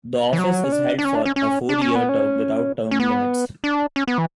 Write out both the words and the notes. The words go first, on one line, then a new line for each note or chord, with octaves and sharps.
The office is held for a four-year term without term limits.
E3
F#3
C#4
D4
D4
C#4
D4
C#4
C#4
D4
C#4
B3
C#4
C#4
B3
D4
C#4
B3
E3